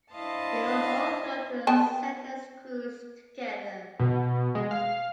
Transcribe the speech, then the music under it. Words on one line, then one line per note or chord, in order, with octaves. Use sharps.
You will all go to Santes Creus together.
D4 E4 C5 D#5 F5 A5
B3 G5 A5
B2
G#3
F5